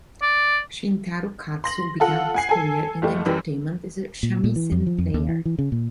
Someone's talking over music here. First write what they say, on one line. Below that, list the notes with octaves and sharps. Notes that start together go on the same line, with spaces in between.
Shintaro Katsu began his career in entertainment as a shamisen player.
D5
C6 A#6 F#7
F4 A4 F#5
F#5 G#5 C7
A4 G#5
F#1 G3 A3
F#2 E3 G3
A#2
A#2
E3
F2
F3
F2
D#2
E3
E3
C#3
A#2